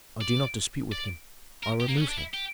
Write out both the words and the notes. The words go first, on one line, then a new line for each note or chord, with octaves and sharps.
"I do not dispute with him; I remove him."
D5
D5
A#4
G4
A#3
B3
C#4
D4
E4
G4